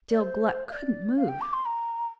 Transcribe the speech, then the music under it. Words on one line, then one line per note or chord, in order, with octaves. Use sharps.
Still Gluck couldn't move.
D5
C5
F5
D5
F5
G5
D6
C6
A#5